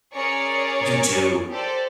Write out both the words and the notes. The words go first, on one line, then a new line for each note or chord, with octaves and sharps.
You do.
C#4 G#4 A#4 C#5 D5 C#7
G4 A4 C5 D5